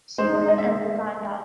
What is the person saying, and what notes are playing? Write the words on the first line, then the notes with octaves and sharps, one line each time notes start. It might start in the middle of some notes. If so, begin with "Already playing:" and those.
Sudan, and Uganda.
G#3 C5
G#3
D#5
E5